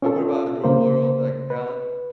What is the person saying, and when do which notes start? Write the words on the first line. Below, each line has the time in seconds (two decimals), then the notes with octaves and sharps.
But what about The Real World, like, Challenge?
0.02 C#4 F4 A4
0.64 C#3 A#3 C5
1.50 B4